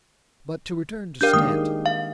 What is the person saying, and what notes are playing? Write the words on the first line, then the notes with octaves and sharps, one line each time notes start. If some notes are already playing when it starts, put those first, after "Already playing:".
But to return to Stanton.
D4 G4 A#4 F5 G6
D#3 G#3 A#3 D#6
F5